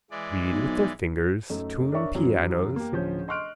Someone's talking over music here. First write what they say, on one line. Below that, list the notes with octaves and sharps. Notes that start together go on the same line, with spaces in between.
Read with their fingers. Tune pianos.
E3 G#3 D5
B1
F#2 A3 D#4
D4 A#4 C#5 D5 E5 C#6
F#2 E3 F#3
A#3 G4
D1 F3 C#4 G6
D#5 C6 C#6 F6 F#6 D7